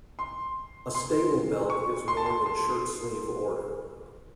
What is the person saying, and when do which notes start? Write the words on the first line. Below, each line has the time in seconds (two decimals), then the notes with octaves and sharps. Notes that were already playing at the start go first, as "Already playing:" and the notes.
A stable belt is worn in shirt sleeve order.
0.19 C6
0.95 C6
1.70 C#6
2.08 C6
2.17 A5
2.26 C6
2.46 C6